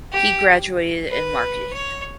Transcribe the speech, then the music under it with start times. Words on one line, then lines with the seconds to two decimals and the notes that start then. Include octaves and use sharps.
He graduated in marketing.
0.12 G4
1.09 B4
1.73 C#5